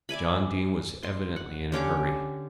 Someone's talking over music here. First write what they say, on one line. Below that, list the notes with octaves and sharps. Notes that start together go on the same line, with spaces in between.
John Dene was evidently in a hurry.
D5 E5 G#5 B5
C6
F#5
D3 C#4 G4 D6